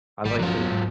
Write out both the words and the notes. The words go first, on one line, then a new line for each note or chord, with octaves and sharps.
I like to
G#1 G3
G1 F3 F#3 C#4 F4
E1 B3
G#2